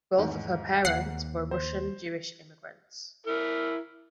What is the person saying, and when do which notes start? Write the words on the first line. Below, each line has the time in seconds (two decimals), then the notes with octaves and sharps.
Both of her parents were Russian Jewish immigrants.
0.17 G#1 E2 G#2
0.85 D#2 F#5 C7
1.51 C5
3.26 E4 A#4